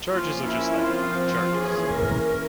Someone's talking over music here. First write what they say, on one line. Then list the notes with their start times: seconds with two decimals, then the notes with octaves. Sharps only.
Charges are just that: charges.
0.09 F3 A#3 C#4 F4
0.46 E4
0.82 F3 C4 F4
1.55 E3 A#3 C#4 G#4
1.93 A#4